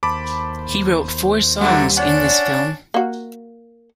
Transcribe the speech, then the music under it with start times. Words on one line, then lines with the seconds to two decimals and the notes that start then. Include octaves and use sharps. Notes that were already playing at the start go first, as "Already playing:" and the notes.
He wrote four songs in this film.
0.03 D#2 C5 A5 B5 D6
1.61 D3 F#3 G3 A3 F#5
1.97 C#4 D4 D5 F#5
2.94 A#3 F#4